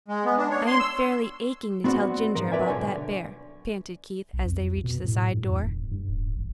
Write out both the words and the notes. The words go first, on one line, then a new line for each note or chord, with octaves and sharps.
"I am fairly aching to tell Ginger about that bear," panted Keith, as they reached the side door.
G#3
B3
D4
C#5
C6
E6
B3 C4 F#4 D5 F#5
G#2 F3 A#4
A#4 B4 D5 E5 G#5
B1 F2 D3 C#5 G#5
B1
F2
B2
A2
G2
E2
D#1
G2
D1
G#1